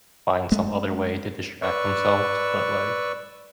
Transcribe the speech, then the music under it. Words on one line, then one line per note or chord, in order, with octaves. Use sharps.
find some other way to distract themselves, but, like,
G#3 A3
B4 D5 C#6 E6